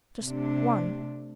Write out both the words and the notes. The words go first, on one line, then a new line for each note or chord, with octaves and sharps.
Just one?
C3 A3 D4